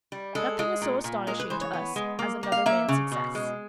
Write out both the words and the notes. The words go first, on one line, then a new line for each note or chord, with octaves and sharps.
Nothing is so astonishing to us as another man's success.
G3
G#3 A4
G#3
A#2
A#2
G#3 A#4
B4
E3 C5
C#5
B3
G#3
A#3
A#3
F5
A#3 E5
C#3
B2
G#3